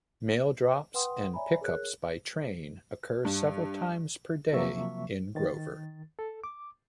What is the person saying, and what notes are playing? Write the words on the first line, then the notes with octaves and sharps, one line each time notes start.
Mail drops and pickups by train occurred several times per day in Grover.
B4 F#5 G5 C6 D#6
C#5 D5 E5 G#5 A#5 B5
G#4 A#4 C#5 F#6
G2
C3 F3 F#3 A#3 E5 C#6
D#3 A6
A4
D6